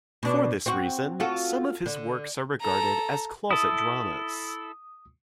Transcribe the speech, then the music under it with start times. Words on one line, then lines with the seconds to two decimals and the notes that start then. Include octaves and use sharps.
For this reason, some of his works are regarded as closet dramas.
0.23 B2 D4
0.66 C4 F#4
1.20 F4 F#4 A4
1.86 D3
2.61 A4 A#5
3.51 E4 A4 D#6